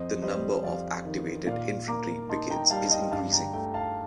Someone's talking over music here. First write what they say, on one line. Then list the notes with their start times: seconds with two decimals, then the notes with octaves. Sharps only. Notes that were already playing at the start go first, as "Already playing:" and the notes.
The number of activated infantry brigades is increasing.
Already playing: F2 C5 D#5
0.22 G3 C5 D#5
0.64 F2 D5 F5
1.05 D#3
1.47 A#2 D5 F5
1.88 A#3 A#5 D6
2.29 D#4 A5 C6
2.50 G5 A#5
2.62 A#5
2.70 G3 F5 A5
2.91 D#5 G5
3.11 G2 F5 A5
3.32 G5 A#5
3.53 A3 G5 A#5
3.74 F5 A5